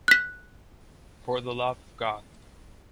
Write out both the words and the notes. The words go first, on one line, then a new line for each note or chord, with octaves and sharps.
For the love of God.
F#6 B6